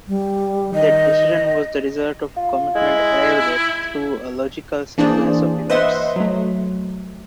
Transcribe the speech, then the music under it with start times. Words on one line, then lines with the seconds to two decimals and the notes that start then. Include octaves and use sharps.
That decision was the result of a commitment arrived at through a logical sequence of events.
0.08 G3
0.74 D#3 D#5
2.36 F4
2.75 G#3 E4
4.98 E3 A#3 D4 G#4 C5 D5
5.70 B4 C5 D#5 E5 F#5 C6
6.16 F#3 A3